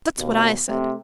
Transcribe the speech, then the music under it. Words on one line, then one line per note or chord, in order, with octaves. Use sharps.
That's what I said.
D#2 B2
C3 A3